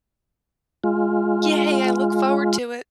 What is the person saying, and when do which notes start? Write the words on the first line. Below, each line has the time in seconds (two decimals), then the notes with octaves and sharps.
Yay. I look forward to it.
0.84 G#3 F4